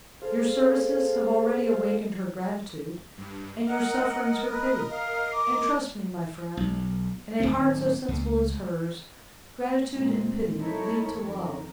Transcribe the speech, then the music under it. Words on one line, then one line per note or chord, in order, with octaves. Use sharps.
Your services have already awakened her gratitude, and your sufferings her pity; and trust me, my friend, in a heart so sensible as hers, gratitude and pity lead to love.
G#4 A4 C5 F5
G2
A#4 D#5 F#5
B4
F5
D6
B1
D1 C2 D#3 C4
C#2
A#2 G#3 C4
D#4 E4 A4 A#4 C#5
F2 D#3 A#4